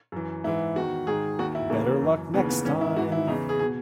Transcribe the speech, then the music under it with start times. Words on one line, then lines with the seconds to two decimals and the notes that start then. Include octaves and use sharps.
Better luck next time!.
0.12 F#2 E3
0.44 G#2 E3 E4
0.75 E2 D#3 F#4
1.07 G#2 D#3 G#4
1.39 D#2 D#3 F#4
1.55 E4
1.70 D#2 C#3 E3 A#3
2.02 F#2 E3
2.34 D#2 C#3 E3 B3
2.49 B3
2.65 E3 C#4
2.68 G#2
2.81 E4
2.96 G#2 E3 F#4
3.12 E4
3.27 E2 C#3 E3 D#4
3.49 G#4
3.59 G#4
3.62 B2